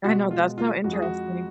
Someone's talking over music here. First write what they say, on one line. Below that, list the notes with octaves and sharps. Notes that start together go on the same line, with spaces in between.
I know, that's so interesting.
B2 G#3 F#4
F4
F4
F2 F3 G#3 F#4
G#4
F#4